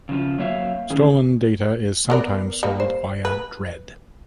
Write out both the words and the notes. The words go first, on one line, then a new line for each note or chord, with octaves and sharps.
Stolen data is sometimes sold via Dread.
C#3 F3 F4
F#3 A#3 C#5 E5 F5
A2 D#3 C#4 G#4
B3 A#4 D5
G3 A#3
C5
B4